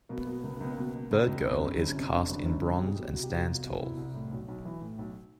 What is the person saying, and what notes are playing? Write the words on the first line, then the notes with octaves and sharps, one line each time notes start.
"Bird Girl" is cast in bronze and stands tall.
B2 A#3
B3
B2 A#3
B3
A#3
C#2
B3
A#3
C#2 B3
A#3
B2 B3
A#3
B2
C#2
C#2
F2 B3
G1 C#4
C4
G1
C#4
C3
C#4
F2 D4
G1
D4
G1 C#4
C3
B2 G4
G#4
B2 G4
C2 F#4
G4
C2 F#4
B2 F4
B2
C2 E4
C2
A2
B1
B1
E3
A2
B1